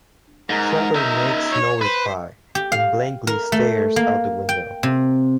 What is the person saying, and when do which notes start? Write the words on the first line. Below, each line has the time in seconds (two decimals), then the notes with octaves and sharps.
Trevor makes no reply, and blankly stares out the window.
0.50 G#2 A#4
0.96 D#4 E5
1.50 C#5
1.81 B4 C5
2.55 G4
2.72 F5
3.27 A#4
3.52 A3
3.96 A#3
4.49 G5
4.83 C3